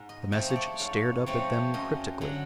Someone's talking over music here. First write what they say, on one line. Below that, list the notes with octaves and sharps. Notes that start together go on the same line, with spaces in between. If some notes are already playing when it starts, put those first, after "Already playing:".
The message stared up at them cryptically.
Already playing: G#2
D#5
F3 A3 C4
C#5
D5
G#2 C#5
F3 A3 C4 C#5
F#2 D#5
D3 F#3